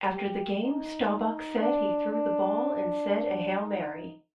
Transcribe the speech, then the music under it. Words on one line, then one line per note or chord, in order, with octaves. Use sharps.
After the game, Staubach said he threw the ball and said a Hail Mary.
G4
D#4
D4
D4
D#4